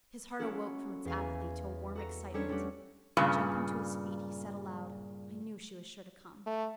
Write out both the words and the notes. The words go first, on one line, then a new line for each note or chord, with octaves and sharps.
His heart awoke from its apathy to a warm excitement, and, jumping to his feet, he said aloud, "I knew she was sure to come."
A#3 C#4 E4 F#4 A4
E2 F5 G#5
F#4 A4 A#5 A#6
G3 C#4 D4 A4 C5 C#5
G3 A3 C#4 F#4 G4
G2 A#2 C#3
A3